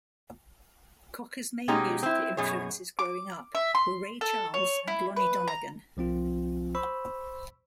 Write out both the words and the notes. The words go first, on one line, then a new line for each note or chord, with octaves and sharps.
Cocker's main musical influences growing up were Ray Charles and Lonnie Donegan.
B2 G#3 C#4 D#4 G4 A#5
C4 E4
F#2 B2 G#4 C#5
D6
E5
C6
A4
C#5
E4
B4
A#5
C2 F3 C4 F4
C5 B5 C#6 E6